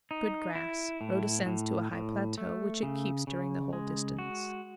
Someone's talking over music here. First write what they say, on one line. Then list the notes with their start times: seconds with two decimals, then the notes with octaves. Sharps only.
Good grass. Road ascends to a high plateau, which it keeps during the whole distance.
0.11 D#4
0.55 E4
1.01 A2
1.46 A2
1.92 A2
2.38 A3
2.83 C#3
3.27 C#3
3.73 G#3
4.19 F#4